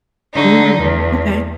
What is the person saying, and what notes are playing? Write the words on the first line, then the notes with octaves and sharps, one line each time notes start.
Mm. Okay.
D3 D#4
E2